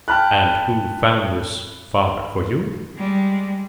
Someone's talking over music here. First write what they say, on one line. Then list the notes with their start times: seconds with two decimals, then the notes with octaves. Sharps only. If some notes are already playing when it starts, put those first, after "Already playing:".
"And who found this father for you?"
0.08 G5 A5 B5 F6 F#6
2.96 G3 G#3